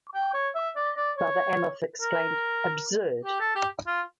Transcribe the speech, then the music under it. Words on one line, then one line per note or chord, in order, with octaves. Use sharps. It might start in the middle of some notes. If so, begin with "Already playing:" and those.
Father Amorth exclaimed, Absurd!
G5
C#5
E5
D5
D5
C#5
A#4
G4
A4
G4
F4